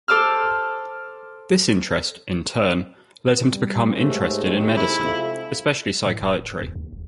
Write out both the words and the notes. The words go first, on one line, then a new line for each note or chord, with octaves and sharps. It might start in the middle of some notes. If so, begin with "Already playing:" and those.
This interest, in turn, led him to become interested in medicine, especially psychiatry.
A4 C5 D6 E6 F6
G3
D#2 G#2 G#3 A3
A2 D#3
C3 E4
F2
A2
D#1
D#2
D#2
E1